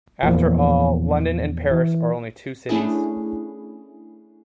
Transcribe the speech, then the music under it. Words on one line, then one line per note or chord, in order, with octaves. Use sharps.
After all London and Paris are only two cities.
E2 A#2 F3
E3
A3 C#4 D4 E4 G#4